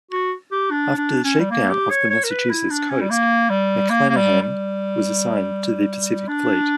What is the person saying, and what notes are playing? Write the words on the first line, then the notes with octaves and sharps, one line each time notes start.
After shakedown off the Massachusetts coast, "McLanahan" was assigned to the Pacific Fleet.
F#4
G4
D4
D4
C#4
G3
A#3
G4
C#5
C#5
A#4
B4
E4
D4
C#4
G3
A#3
G3
A#3
A#3
G3
G3
D4